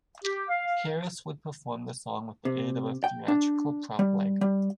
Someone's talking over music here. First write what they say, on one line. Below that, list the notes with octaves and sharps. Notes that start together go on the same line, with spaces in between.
Harris would perform the song with the aid of a theatrical prop leg.
G4
F5
C3
G5
D4
G3
G3